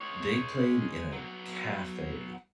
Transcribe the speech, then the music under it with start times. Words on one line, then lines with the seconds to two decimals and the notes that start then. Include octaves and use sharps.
they played in a cafe
0.01 G#3 C#5
1.13 F#3 B3